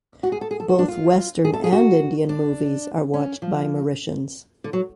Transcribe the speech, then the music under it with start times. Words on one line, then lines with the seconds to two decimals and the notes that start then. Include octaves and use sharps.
Both Western and Indian movies are watched by Mauritians.
0.23 F#4
0.32 G#4
0.41 A4
0.51 G#4
0.60 A4
0.69 F#4
0.79 D4
0.88 F4
1.45 G#4
1.53 A4
1.64 G#4
1.72 F#4
2.29 D4
3.14 C#4
3.42 F3
4.64 D3
4.73 F#3